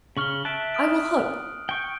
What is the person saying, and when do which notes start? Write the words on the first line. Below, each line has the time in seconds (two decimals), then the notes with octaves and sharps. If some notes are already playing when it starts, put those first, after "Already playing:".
I will hope.
0.17 C#3 C#6 F6 F#7 G7
0.45 E5 A5 F#6 D7
0.74 D#6 F6 D7
1.69 G5 C#6 G6 D7